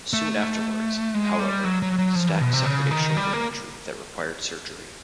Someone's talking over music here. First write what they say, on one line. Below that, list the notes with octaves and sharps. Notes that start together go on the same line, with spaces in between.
Soon afterwards, however, Stack suffered a shoulder injury that required surgery.
A3
G#3
G3
F#3
F#3
F#3
F3
E3
B2
C3
C#3
D#3
G3
A#3